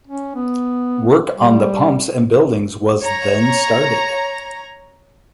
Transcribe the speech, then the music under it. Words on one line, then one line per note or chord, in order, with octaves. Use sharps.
Work on the pumps and buildings was then started.
C#4
B3
G3
C#5 A#5